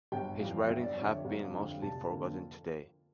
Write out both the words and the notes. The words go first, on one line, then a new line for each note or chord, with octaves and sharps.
His writings have been mostly forgotten today.
G1 G5
F2 E3 G3 F5
G1 E5
D5
F2 D3 C#5
E5
G1 F5
F2 D3 F5
F1 A5
F2 D3 F3 A#3